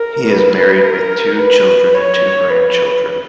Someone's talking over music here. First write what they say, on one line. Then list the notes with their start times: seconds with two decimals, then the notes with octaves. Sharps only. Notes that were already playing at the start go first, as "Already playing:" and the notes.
He is married with two children and two grandchildren.
Already playing: A#4
0.29 B4
0.84 A#4
1.39 B4
1.94 C#5
2.50 B4